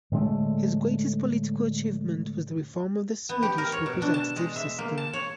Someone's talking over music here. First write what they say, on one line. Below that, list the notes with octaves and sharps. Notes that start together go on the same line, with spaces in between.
His greatest political achievement was the reform of the Swedish representative system.
A2 D3 G#3 A3
B3
G4
A#4
C#5
B2
D4
A5
G#3
E5
A#3
A5
C#5